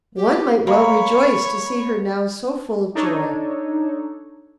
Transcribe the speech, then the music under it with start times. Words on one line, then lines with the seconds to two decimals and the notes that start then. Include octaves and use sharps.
One might well rejoice to see her now so full of joy.
0.16 G4
0.67 A#3 C#5 B5
2.95 D4 D#4 A4 C#5